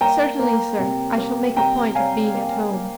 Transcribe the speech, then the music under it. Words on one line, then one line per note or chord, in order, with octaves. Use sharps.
"Certainly, sir, I shall make a point of being at home."
A#3 G5 A#5
A#3
C3
A#3
C3 G5 A#5
C3 F5 G#5
A#3
A#3